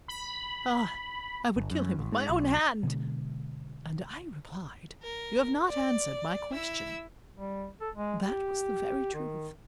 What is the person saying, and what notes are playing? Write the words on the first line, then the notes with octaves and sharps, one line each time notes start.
'Ah, I would kill him with my own hand!' And I replied, 'You have not answered my question.' That was the very truth.
B5
G1
F#2
A1
G#2
B1
B2 D3 G#3
A#4
D5
E4 E6
G3
A4
G#3
G4
D#3